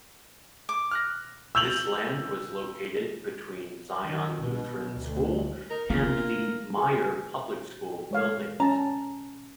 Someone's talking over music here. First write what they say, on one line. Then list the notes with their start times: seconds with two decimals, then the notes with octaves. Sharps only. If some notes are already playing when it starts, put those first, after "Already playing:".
This land was located between Zion Lutheran School, and the Mayer Public School buildings.
0.69 D6
0.91 F6 F#6 A#6
1.55 E6 G6 F7 F#7
4.03 D#3
4.40 B2
4.94 D2
5.70 D#4 A#4
5.90 A#3 B3 D4 F4 A#4
6.78 G#4
8.11 G#3 C#5 F5
8.60 C#4 A5 A#5